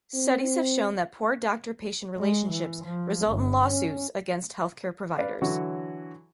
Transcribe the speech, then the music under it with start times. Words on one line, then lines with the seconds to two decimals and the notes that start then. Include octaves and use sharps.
Studies have shown that poor doctor-patient relationships result in lawsuits against healthcare providers.
0.14 C4
2.17 G#3
2.51 E3
2.84 F3
3.26 G1
3.67 C#4
5.18 B4 D5 F5
5.42 D3 E3 F#3 F#4 C#5